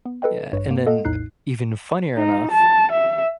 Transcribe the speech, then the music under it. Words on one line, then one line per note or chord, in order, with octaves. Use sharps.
Yeah, and then even funnier enough,
B3
A4 B4 D#5 G5
A1 G2 B4 C#5
G2 A#3
A#3 A4 D#5 F5 F#5
A#1 E2 A2 D#4 F#6 C7
D#4
A5
E5